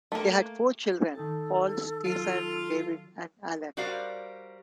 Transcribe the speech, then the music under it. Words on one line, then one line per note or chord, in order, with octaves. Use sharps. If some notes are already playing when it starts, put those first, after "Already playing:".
They had four children: Paul, Stephen, David, and Alan.
A3 A#3
D#3 D#4 A4 A5
F#3 F4
G3 F#4 A#4 C5 D5 F5